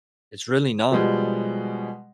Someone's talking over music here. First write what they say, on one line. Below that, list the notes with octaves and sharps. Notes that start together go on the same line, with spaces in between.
it's really not.
B2 F3 G3 G#3